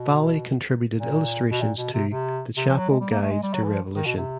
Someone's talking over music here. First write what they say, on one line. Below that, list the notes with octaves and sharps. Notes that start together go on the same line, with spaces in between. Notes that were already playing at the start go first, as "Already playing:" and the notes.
Valley contributed illustrations to "The Chapo Guide to Revolution".
Already playing: B2
A#2
B2
A#2
B2
C3
C3
C3
F3
F#3
G#3
G3
A#3
A3
G#3
G3
F#3
E3
F3
D#3
B2
C3